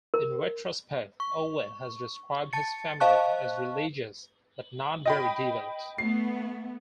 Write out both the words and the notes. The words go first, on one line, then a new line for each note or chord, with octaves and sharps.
In retrospect, Ouellet has described his family as religious but not very devout.
A#4
C#6
A5 A6 C#7
C5 D#5 F5 A5 C#6 F#6
D#5 G5 B5
A3 B3 C7